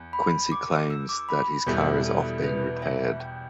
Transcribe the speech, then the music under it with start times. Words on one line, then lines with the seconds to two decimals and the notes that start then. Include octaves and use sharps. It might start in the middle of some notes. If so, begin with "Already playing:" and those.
Quincy claims that his car is off being repaired.
Already playing: E2
0.13 B5
0.52 D6
0.90 E6
1.09 D6
1.29 B5
1.66 E2 B2 G3 E4 A4
2.05 A4
2.43 B4
2.82 E5
3.20 G5